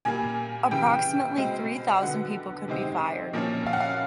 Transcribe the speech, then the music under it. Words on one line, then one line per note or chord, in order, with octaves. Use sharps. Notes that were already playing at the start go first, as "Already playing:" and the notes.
Approximately three thousand people could be fired.
A#2 G3 A#3 G#5
C#3 E3 G3 G5
B2 G#3 C4
D3 F#3 B3 F#5
C3 D#3 G#3 C4
A#2 F3 A#3 C#4
F5
F#5
F5